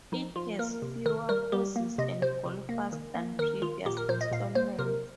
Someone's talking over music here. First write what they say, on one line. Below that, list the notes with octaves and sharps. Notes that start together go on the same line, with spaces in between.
It has fewer courses and golfers than previous installments.
F3 D#4
F3 F4
A#3 A#4
C3
D#3 A#4
G3 A#4
G3 G4
A#3
C3 D#5
C3 C5
C3
A#3
D#3
A#3
D#3 A#4
D#3 F4
A#2 G4
A#4
A#2 C5
D#5
A#2 F5
A#3 C5
C3 A#4